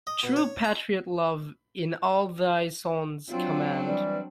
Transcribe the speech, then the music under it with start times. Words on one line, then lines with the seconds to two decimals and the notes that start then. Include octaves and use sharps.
True patriot love in all thy sons command.
0.07 D#5
0.23 B2
0.36 C#5
0.64 A#5
3.30 F#3 C4 D4 F4
3.85 E3 G3